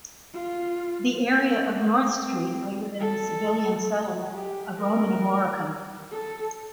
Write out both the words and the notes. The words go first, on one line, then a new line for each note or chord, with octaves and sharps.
The area of North Street lay within the civilian settlement of Roman Eboracum.
F4
A#3
A#3
C4
A4
G4
A#4
A4